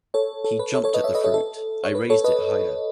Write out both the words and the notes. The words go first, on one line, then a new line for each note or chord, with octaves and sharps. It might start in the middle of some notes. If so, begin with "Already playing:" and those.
He jumped at the fruit; I raised it higher.
A4 C#5
A4
B4
A4 C#5
A4 C#5
B4 D#5
C#5 E5
B4 D#5
A4 C#5
A4
C#5
B4
A4 C#5
B4 D#5